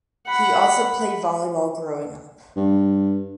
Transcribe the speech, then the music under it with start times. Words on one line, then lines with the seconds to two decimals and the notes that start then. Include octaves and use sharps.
He also played volleyball growing up.
0.26 F#5 B5
2.57 G2